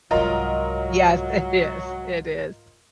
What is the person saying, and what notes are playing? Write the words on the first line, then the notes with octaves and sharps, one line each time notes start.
Yes, it is. It is.
C2 G#2 F#3 F4 A#4 D#5